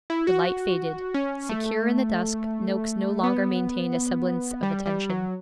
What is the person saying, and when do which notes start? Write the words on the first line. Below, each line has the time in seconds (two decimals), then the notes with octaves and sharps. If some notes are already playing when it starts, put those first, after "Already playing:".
The light faded. Secure in the dusk, Noakes no longer maintained a semblance of attention.
0.10 E4
0.27 F#4
1.14 C#4
1.49 A3
3.23 B3
4.63 G3
4.86 G3
5.10 F#3